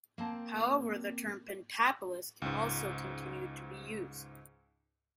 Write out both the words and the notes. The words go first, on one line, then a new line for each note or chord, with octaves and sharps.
However, the term "Pentapolis" also continued to be used.
A#3 C4 A5
C#2 G#2